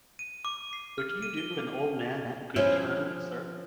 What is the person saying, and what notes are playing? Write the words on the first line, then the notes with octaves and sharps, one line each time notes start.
Would you do an old man that good turn, sir?
D#7
D6
C7
F6
D#7
G7
F3 C#4 E4